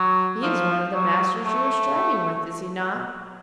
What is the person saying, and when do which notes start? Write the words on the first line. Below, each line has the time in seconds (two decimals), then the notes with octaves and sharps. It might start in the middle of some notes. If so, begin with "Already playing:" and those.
'He is one of the masters you are striving with, is he not?
Already playing: F#3
0.43 F3
0.95 F#3
1.46 A3